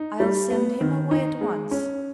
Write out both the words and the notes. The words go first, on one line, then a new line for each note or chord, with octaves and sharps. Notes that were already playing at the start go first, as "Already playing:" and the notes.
I'll send him away at once.
Already playing: D#4
G3
B3
D#3
D#4
G#3
C#4